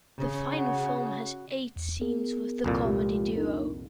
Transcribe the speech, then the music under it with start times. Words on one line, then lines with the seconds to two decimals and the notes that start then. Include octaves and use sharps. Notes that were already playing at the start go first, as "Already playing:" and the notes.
The final film has eight scenes with the comedy duo.
0.18 C#3
0.53 F#4
1.76 E2
2.01 B3 G#4 A#4
2.64 C2 F2 A#2
2.85 G#3 F4 G4
3.36 D4 D#4 A#4